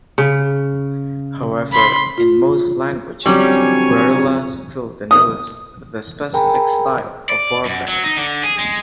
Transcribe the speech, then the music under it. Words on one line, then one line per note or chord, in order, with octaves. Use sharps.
However, in most languages "guerrilla" still denotes the specific style of warfare.
C#3
B5 C6
F4
F2 D3 F#3 G3 C#4 C#5 G#5
D#6
G#4 A#4 G5 G#5 A#5 B5
D5
F#2
F#3
D#4
D3
G#4
G#3